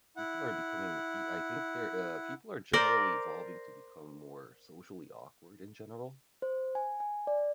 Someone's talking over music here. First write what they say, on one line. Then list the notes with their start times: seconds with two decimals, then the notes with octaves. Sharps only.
people are becoming ee I think they're, uh people are generally evolving to become more socially awkward in general.
0.17 E4 F#5
2.73 A#4 C5 D5
6.42 C5
6.75 G#5
7.00 G#5
7.27 D5